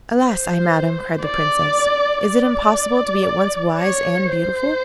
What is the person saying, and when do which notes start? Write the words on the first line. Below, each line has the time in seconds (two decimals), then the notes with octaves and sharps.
'Alas I madam,' cried the Princess, 'is it impossible to be at once wise and beautiful?'
0.21 C5
1.23 D5
2.26 D5
3.80 C#5
4.30 C5